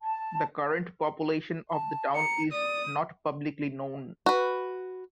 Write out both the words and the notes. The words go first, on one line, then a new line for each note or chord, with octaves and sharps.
The current population of the town in not publicly known.
A5
A5
A#5 C#7
D5 D#6
F#4 B4